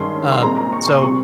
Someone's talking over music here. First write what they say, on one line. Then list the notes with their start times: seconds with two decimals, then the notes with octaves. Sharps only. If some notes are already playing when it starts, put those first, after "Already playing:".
Uh, so,
Already playing: G2 D#3 G#3 C#4 C6
0.32 C6
0.42 A#2 G#3 C4 A#5
0.57 A#5
0.73 C#6
0.87 C6
1.02 C3 G3 C4 C#6